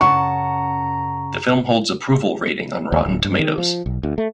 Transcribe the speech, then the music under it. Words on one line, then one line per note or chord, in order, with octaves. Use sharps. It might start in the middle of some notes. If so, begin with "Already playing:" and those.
The film holds approval rating on Rotten Tomatoes.
F#2 C#3 F#5 A5 A#5 C#6
D#2
D1
G2
D#3
F3
B1
D2
A3